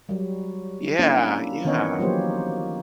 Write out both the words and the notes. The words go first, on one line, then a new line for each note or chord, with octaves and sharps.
Yeah. Yeah.
F#3 G3
A#3 C#4 D4 E4
D#3 E3 B3 C#4 C#5 D#5
F3 F#3 A#3 G4 C5